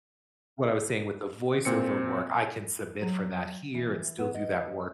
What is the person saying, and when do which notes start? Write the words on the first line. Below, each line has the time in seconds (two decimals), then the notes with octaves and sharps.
what I was saying with the voice over work, I can submit for that here, and still do that work
1.65 A#2 C4 C#7
3.02 F#3
3.74 E3
4.18 B3
4.34 D#5